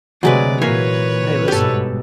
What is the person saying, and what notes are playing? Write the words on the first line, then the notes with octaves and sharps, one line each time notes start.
Hey listen
D2 C3 F#3 G#3 B4 D5
A#2 E3 A#3 B4 C#5 G#5
G1 G#2 B2 G4 A4